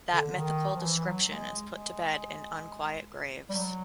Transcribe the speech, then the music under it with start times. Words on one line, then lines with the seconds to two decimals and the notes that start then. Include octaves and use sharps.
That mythical description is put to bed in "Unquiet Graves".
0.13 D3
0.27 D3
0.37 D#3
0.76 F3
0.82 E3
1.04 F#3
1.27 G#3
1.72 G#3
3.50 G3
3.54 F#3